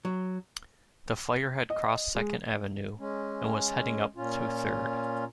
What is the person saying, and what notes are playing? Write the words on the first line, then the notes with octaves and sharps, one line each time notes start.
The fire had crossed Second Avenue, and was heading up to Third.
F#3
D#5
G#3
G#3 C#4
A#2 C#4 F4